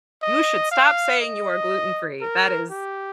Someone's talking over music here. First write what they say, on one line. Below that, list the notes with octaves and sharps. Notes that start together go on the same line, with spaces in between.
you should stop saying you are gluten free. That is
D#5
F5
D#5
A#4
G4